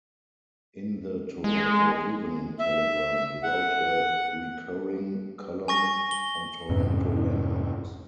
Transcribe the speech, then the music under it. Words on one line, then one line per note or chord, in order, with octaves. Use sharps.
In the Toronto Evening Telegram he wrote a recurring column on Toronto landmarks.
G#3
E5
F#5
G#5 C#6 A#6
G7
F2 G#2 C3 C#4